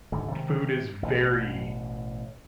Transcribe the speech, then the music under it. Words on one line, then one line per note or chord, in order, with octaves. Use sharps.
food is very
D#1 G#2 D3
C3 D#3 G#3
A1 B2